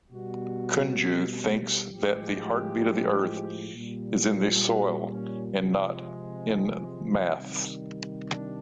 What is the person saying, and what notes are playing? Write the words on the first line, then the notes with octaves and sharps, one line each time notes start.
Kunju thinks that the heartbeat of earth is in soil and not in maths.
B2 G3 F#4
A2 F3 G#3 G4
A#2 G3
F#4
C#4
C3 F3 G#3
C3 D#3 G3
D4